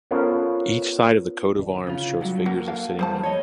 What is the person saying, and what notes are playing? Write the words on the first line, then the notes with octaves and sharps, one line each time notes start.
Each side of the coat of arms shows figures of sitting women.
B3 C#4 F4 A4 A#4 C5
C#3 F4
G2 F#3
A#3 F#4
F#4 A4 F5
F3 G3 A#3 G#4 C5 A5
C#5 D#5